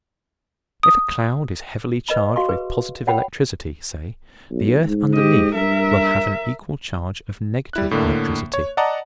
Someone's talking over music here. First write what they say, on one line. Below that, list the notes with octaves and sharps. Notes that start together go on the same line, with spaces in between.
If a cloud is heavily charged with positive electricity, say, the earth underneath will have an equal charge of negative electricity.
D#6
B4 D#5 B5
F#4 F5 C6 C#6
G#4 B4
C#5 F#5 G5 B5
B1
G#2
G4 D#5
G2 A#4 E5
G3 E4 F#6
A2 D3 A#3
C#5
D5 D#5 F#5 A5 A#5